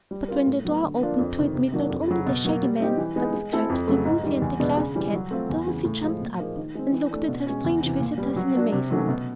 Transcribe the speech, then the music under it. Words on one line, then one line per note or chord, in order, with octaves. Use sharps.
But when the door opened to admit not only the Shaggy Man, but Scraps, the Woozy and the Glass Cat, Dorothy jumped up and looked at her strange visitors in amazement.
G3
C4 F4 A#4
A2
F#3 B3
D3
F3 A#3 D4 F4
F2
C3 D#3
C3
D#3 F#3 A#3 D4
F2
C#3 F#3
B2
F#3 A#3
G3
C4 D#4 G4
E3
G#3 B3 D#4 G#4
G#3
C4 E4 A4
F2
C#3 F#3 A3
G#2
D#3 G3
E2
B2 G#3 B3 D4
C#3
E3 G3
F#3
A3 C4 F4
E2
C#3 E3
A2
F3 G#3
A#2
F3 A#3 D#4 G#4
D#3
G#3 C4
E3
A3 D4
B2
G#3 C#4
E2
C3 E3
A#2
G3 B3
F#3
A#3 D4 F#4
C3
D#3 F#3 A3 C#4
B2